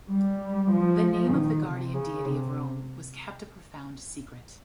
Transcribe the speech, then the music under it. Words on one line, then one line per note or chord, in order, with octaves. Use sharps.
The name of the guardian deity of Rome was kept a profound secret.
G3
F3
D#3
C3
C#3
C3